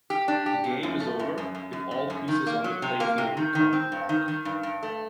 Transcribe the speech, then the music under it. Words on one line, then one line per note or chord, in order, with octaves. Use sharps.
The game is over if all pieces on the playfield become locked.
G4
D4
G4
A#2
F#2
A3
F#2
F#2
F#2
F#2
F#2
F#2
D#3
A#3
F#3
C3
A#3
C3
D#3
D#3
C4
G2
D#3
D#3
G2
G2
A3